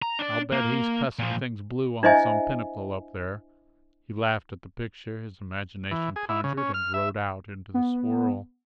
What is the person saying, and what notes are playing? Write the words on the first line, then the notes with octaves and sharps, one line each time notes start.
"I'll bet he's cussing things blue on some pinnacle up there." He laughed at the picture his imagination conjured, and rode out into the swirl.
A#5
D4 D5
A#3
A#2 F3
D4 E4 C5 D#5 E5 G#5
E3
G#4
E4
C#3
C#4
F6
E5
B3